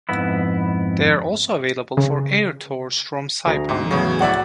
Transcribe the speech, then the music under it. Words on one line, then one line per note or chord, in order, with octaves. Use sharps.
They are also available for air tours from Saipan.
F2 G#2 B3 E4
C#3
D2 G#4 A#5
G#2
E2 A2 C#3 F#3
F#4 D5 E5